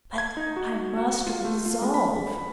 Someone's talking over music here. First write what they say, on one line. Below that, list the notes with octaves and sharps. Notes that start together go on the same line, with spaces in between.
But I must resolve.
G#6
D#4
F#4
F#4
F4
A3
F4
G#3
B5